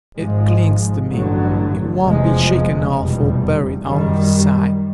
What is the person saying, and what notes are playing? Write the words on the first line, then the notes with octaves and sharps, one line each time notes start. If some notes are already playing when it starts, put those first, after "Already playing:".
It clings to me; it won't be shaken off or buried out of sight.
G#1 G#2 F3 G#3
A1 G2 D3 F#3
F1 E2 C3 F3 G#3
F1 E2 B2 G3
F#2 D#3 G3